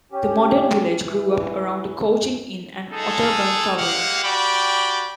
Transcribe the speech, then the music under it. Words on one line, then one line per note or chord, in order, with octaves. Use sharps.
The modern village grew up around a coaching inn and Otterburn Tower.
C#4 G4
E3
G#3 D#4 G#4 A4
G#3 A#3 G4 F5 F#5
F#4 G4 D5 G5 B5